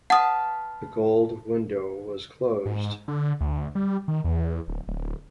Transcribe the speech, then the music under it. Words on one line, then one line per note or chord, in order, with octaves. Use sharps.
The "gold window" was closed.
B4 F5 F#5 A5 D#6
G#2
D3
D2
G3
D#3
E2
D1
D1